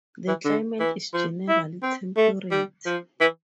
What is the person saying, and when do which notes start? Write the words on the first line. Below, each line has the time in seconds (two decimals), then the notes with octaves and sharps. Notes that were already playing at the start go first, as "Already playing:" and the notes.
The climate is generally temperate.
0.28 E3
0.45 D3
0.80 E3
1.14 F3
1.49 E4
1.83 C4
2.17 A3
2.51 G3
2.86 F3
3.21 E3